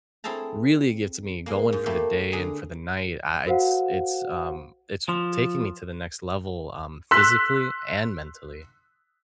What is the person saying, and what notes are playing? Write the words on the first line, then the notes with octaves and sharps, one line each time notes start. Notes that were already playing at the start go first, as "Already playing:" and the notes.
really gets me going for the day and for the night, I it's it's, um, it's taking me to the next level, um, physically and mentally.
C4 E4 G#4 A4 A5 A#5
G#3 A#3
G#2
A3 A#3 E4 G4
D3 G#4 A#5
F#4 A#4 C5 F5 F#5
F3
C6 E6 F#6 B6